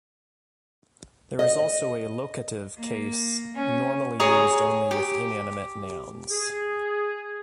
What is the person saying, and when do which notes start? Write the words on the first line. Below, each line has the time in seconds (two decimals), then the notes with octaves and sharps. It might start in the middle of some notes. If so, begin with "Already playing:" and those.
There is also a locative case, normally used only with inanimate nouns.
1.39 D#5
2.77 A#3
3.55 C#4
4.19 G#4 C#5 A#5 D#6
4.91 G4
6.31 G#4